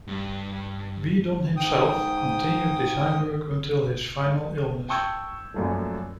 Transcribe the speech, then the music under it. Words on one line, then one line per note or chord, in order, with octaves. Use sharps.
Weedon himself continued design work until his final illness.
G2
G#2 G5 D#6
G5 A5 C#6 E6 G6 G#6
A#1 F#2 A3